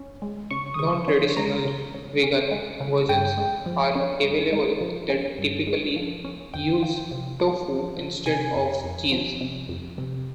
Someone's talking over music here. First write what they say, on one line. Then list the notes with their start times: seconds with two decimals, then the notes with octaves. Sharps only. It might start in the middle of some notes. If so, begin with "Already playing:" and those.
Non-traditional vegan versions are available that typically use tofu instead of cheese.
Already playing: C#4
0.22 G#3
0.51 C#3 C#6
0.74 D#6
0.79 C#3 C#6
1.08 C#4 C6
1.37 G#3 A#5
1.65 C#3
1.94 C#3
2.23 C#4
2.51 G#3
2.80 C#3
3.09 G2 G5
3.38 G#3
3.66 F3
3.95 C#4
4.24 G2
4.52 G#3
4.81 F3
5.10 C#4
5.39 G2
5.67 G#3
5.96 F3
6.25 C#4
6.54 F2 G5
6.82 F3
7.11 C3
7.40 F2
7.68 F2
7.97 F3
8.26 C3 G#5
8.55 F2
8.84 F2
9.12 F3
9.41 C3
9.69 F2
9.98 C3